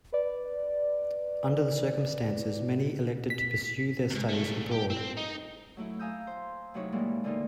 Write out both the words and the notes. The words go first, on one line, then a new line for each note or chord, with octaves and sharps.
Under the circumstances many elected to pursue their studies abroad.
B4 D5
B6
E2 G#2
C2 A3
G4
C4
D#4
F#3 A3 E4
F5 G#5 A#5 D#6 E6 G6
C5
C3 F#3 A3 D#4 E4 C#5
A#2 E3 G3 G#3 A#3
D3 G3 A3 A#3 D#4 F4